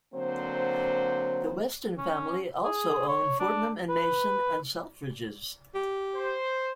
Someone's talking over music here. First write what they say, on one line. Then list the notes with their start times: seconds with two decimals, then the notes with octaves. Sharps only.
The Weston family also own Fortnum and Mason and Selfridges.
0.14 D3 F#3 A#3 C4 C5
1.98 C#4
2.64 G#4
3.08 C#5
3.40 D4
3.89 B4
5.75 G4
6.15 C5